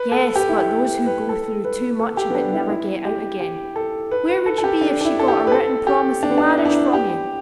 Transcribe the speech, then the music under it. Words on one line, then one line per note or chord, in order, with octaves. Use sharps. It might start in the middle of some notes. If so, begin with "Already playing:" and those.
"Yes; but those who go through too much of it never get out again. Where would you be if she got a written promise of marriage from you?"
Already playing: B4
A4
G4
E4
G4
B4
A4
B4
A4
G4
B3
D4
E4
E4
G4
G4
A4
B4
B4
A4
A4
G4
D4
D4
E4
A4
G4
B4
A4
G4
D4
B3
D4
E4
D4
E4
G4